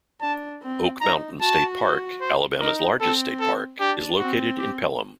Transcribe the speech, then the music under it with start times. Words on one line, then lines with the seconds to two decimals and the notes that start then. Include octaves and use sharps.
Oak Mountain State Park, Alabama's largest state park, is located in Pelham.
0.21 D4 A5
0.62 C4
1.01 D#4 A#5
1.41 F#4 A5
2.21 C5
2.60 D#4 A#4
3.00 C4 A4
3.41 A4
3.79 D4 G4
4.20 C4 F#4
4.59 G4